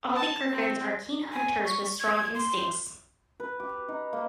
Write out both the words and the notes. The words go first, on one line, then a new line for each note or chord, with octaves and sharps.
All the Griffons are keen hunters with strong instincts.
A5
C4
G#5
C#6
G#6
C6
B4
G4
D#4
A#3